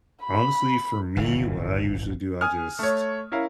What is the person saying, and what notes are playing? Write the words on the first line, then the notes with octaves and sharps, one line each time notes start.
Honestly, for me, what I usually do, I just
B5
D1 G1 C#3 E3
G#5 D#6 F6
A3 C#5
C#4 E4 A#4 F5